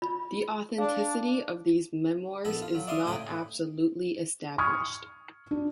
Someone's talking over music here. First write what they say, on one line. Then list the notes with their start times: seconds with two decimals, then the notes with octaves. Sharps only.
The authenticity of these memoirs is not absolutely established.
0.02 F4 B5
0.78 D4 F5
2.45 A#1 B3 A4 B5
2.62 F4
2.75 F#3
2.87 D5 E5 F5 C6 D#6
3.04 D2 A2 C#3 G#4 G5 B5
4.58 C#6 D#6 F6 G#6
5.51 D4